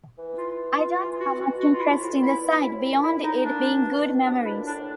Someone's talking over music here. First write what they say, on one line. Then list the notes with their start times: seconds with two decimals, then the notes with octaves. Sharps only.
I don't have much interest in the site beyond it being good memories.
0.18 E3
0.38 F4
0.79 F4
0.99 E3 F4
1.20 F#4
1.40 B2 F#4
1.60 F#4
1.73 F4
1.81 E4
1.91 A2
2.01 G#2 F4
2.11 A#2
2.22 A#2 E4
2.35 B2
2.49 B2
2.62 C#3 E4
2.76 C3
2.90 A#2
3.03 A#2 E4
3.17 A2
3.24 D#4
3.31 A#2
3.44 D4
3.85 B2
4.05 B2
4.25 C3 D4
4.39 B2
4.45 E4
4.53 A#2
4.66 A2 D4